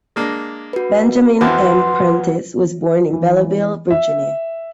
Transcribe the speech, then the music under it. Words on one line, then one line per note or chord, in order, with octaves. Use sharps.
Benjamin M. Prentiss was born in Belleville, Virginia.
G#3 A#3 D4
F#4 B4
F2 E3 F3 F#4 B4 F#5 C6
E3
E5